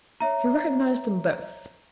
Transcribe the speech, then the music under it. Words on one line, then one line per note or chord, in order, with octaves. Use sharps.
He recognised them both.
C#5 E5 A#5